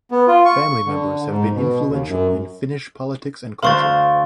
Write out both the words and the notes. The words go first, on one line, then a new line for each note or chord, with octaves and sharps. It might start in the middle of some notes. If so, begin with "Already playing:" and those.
Family members have been influential in Finnish politics and culture.
B3
F4
C#6
D3
G#2
B2
D#2
F#2
D2 C5 F5 C6 C#6 A6